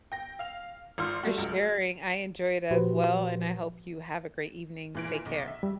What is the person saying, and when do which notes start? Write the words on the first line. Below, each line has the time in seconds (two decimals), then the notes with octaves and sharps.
for sharing. I enjoyed as well, and I hope you have a great evening. Take care.
0.12 G5 A#6
0.39 F5 F7
0.98 G#1 F4 C6 F6
1.23 G3 A3 F#4
1.38 C#2 F#3
2.71 A#2 F3 F#4 G4 B4 C5
4.95 A#2 E3 D7
5.26 B1
5.48 E5
5.63 G3